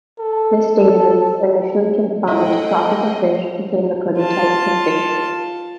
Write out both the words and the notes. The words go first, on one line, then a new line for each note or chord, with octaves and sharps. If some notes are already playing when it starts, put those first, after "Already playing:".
This database, initially confined to tropical fish, became the prototype for FishBase.
A4
A3 E4 G#4 D#5 E5 F#5 G5
F4 A5